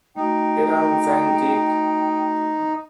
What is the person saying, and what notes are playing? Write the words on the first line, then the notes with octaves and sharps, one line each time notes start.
Peran van Dijk.
A3 D#4 F#4 G5